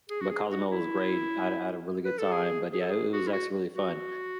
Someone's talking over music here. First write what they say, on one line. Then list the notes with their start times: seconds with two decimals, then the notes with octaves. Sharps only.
but Cozumel was great. I had I had a really good time, but yeah, it it was actually really fun.
0.10 G#4
0.21 F#4
0.30 G#4
0.51 F#4
0.70 E4
2.05 B4
2.18 A4
2.32 G#4
2.73 G#4
2.81 A4
2.90 G#4
3.13 F#4
3.27 E4
3.33 F#4
3.74 F#4